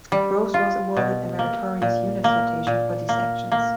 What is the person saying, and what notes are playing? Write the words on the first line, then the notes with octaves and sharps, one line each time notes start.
Groves was awarded a Meritorious Unit Citation for these actions.
G3
F4
B2
A#3
A#2
A#3
A#2
A#3
A#3